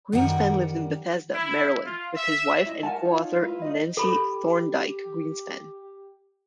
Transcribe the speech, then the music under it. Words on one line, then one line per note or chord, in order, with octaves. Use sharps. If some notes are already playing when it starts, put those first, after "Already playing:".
Greenspan lived in Bethesda, Maryland, with his wife and co-author Nancy Thorndike Greenspan.
F#2 D#3 G3 A#4 F#5 G5
E4
F4
E5
E4 D#5
A#4 F#5 G#5 A5
D#4 F4 C#5
E4 F4 B4
D#4 F4 D#5
G4 A4 B5